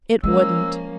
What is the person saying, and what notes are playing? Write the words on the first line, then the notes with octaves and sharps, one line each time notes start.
It wouldn't.
F3 G#3 A#3 C#4 E6